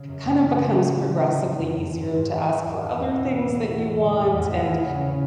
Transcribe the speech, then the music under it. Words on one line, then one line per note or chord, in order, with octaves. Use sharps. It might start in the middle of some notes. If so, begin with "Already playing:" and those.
kinda becomes progressively easier to ask for other things that you want, and
Already playing: C#3
F#2
C#3
E3
A2
G#5
E3 F#5
G#5
E3
E3
D3 G#5
F#2
F#2
F#2
G#2
G#2
E3 F#5
F#5
E3
E5
E2 D5
G#5
E2 F#5
E2
F#5
B2 E5
E3
A2
E3
A2
D3 D5
E2
E2 E5
G#5
E2 F#5
E5
E3 G#5
B4
C#3 C#5
C#3